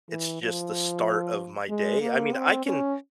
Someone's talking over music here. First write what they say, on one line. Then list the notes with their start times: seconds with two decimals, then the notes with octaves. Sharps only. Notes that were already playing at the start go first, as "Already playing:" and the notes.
it's just the start of my day. I mean, I can
0.10 E3
0.42 F3
1.69 G#3
2.02 A#3
2.33 C4
2.66 C#4